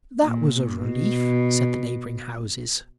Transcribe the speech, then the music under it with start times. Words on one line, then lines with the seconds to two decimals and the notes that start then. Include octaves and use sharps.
"That was a relief," said the neighboring houses.
0.24 A#2
0.76 B2